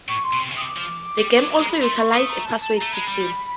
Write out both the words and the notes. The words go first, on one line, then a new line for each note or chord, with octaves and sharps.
The game also utilizes a password system.
A2 C#6
C6
B2
C3
C#3
C3 D#6
D6
F3
G3
F#3
G#3 A#5
B5
A3 C6
C#6
A3 D#6
A#5
A5
A5
A#5
A3
G#3 B5
G3